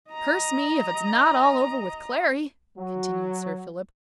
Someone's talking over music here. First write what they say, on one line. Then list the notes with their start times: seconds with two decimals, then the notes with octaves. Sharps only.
"Curse me, if it's not all over with Clary," continued Sir Philip.
0.10 D#5 A#5
2.77 F#3